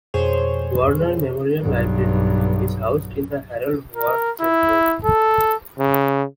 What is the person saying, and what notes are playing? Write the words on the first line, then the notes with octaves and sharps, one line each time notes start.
Warner Memorial Library is housed in the Harold Howard Center.
F2 B2 G#4 C5 C#5
B1 G2
A#4
E4
A4
C#3